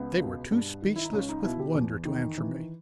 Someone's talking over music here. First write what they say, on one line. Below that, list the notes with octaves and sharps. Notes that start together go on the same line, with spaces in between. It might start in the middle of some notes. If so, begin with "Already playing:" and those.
They were too speechless with wonder to answer me.
Already playing: C#2 B3
B2
G2
D#3
E4
D#4
C#2 C#4
D#4
B2 E4
G4
E2
D#3
E3